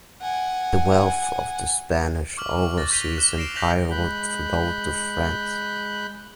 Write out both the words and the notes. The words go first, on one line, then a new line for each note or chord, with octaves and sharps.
The wealth of the Spanish overseas empire would flow to France.
F#5 G#5
C#6 D6 F6 F#7
F#6 A6 A#6
D6 G6 B6 D#7 F7 G7
F#6 E7 G7
A#6 C7 D7 E7 F7
F#6 G6 A#6 B6 F7 F#7
G#3 B5 F#6 G6